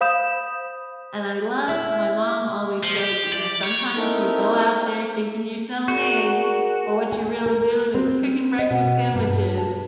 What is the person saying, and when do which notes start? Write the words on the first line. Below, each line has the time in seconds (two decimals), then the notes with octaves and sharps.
and I love My mom always says, you know, "Sometimes you go out there thinking you're selling eggs, but what you're really doing is cooking breakfast sandwiches,"
0.01 C5 F5 B5 D#6 G6 E7
1.68 E4
2.83 F3
2.96 G4
3.33 D5
3.63 C#5
3.96 C4 D#4 E4 A4 A#4
5.88 F#4 G#4 A#4 D5
7.12 G#5
7.46 A#4
7.94 C4
8.59 D#5
8.71 B2
9.15 G2
9.58 A5